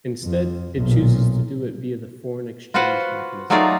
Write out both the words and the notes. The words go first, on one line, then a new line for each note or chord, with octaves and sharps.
Instead, it chooses to do it via the foreign exchange mechanism.
F2
B1 A#2
F4 F#4 B4 C5 F#5
F#3 A3 D#4 F4 G#4 D5